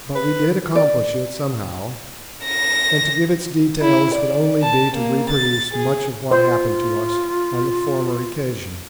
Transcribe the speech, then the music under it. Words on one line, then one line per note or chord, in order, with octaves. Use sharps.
But we did accomplish it somehow, and to give its details would only be to reproduce much of what happened to us on the former occasion.
B4
D5
A#6
E4
D5
A5
A#3
A6
G#4
F4 C5